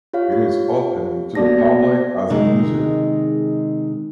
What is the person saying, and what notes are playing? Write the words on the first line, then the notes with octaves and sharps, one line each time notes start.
It is open to the public as a museum.
F4 G4 C#5 F5
A#3 B3 F#4 D5 A5 A#6
C3 D#3 G#3 D#4 G#4